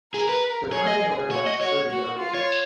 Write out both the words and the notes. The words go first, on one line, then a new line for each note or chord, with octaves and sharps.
There are currently no airlines serving the airport.
G#4 A#4
B4
G#4 C#5
D#5
F#4 C#5
D#5
C#5
F#4
F4
C#5